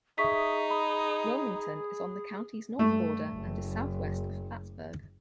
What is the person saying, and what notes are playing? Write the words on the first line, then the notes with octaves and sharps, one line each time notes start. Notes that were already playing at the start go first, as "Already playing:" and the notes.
Wilmington is on the county's north border and is southwest of Plattsburgh.
D#4 G#4 E5 C#6 B6
B5
G2 A3
F#1